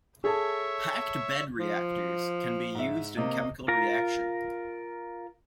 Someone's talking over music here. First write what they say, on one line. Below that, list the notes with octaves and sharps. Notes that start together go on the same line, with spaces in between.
"Packed bed reactors" can be used in chemical reaction.
G#4 A4 C#5 E5 A5
F3
G#2 E5
C3 A#3 D#5
F4 A#4 A#5